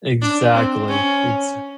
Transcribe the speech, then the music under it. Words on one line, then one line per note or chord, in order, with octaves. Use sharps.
Exactly. Exa
D4
C4
C#4